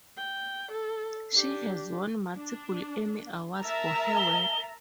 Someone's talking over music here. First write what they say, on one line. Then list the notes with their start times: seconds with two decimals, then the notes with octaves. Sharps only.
She has won multiple Emmy Awards for her work.
0.17 G5
0.72 A4
1.35 D4 G4
2.35 D4
3.61 A#4 E5 A5 A#5
4.17 G7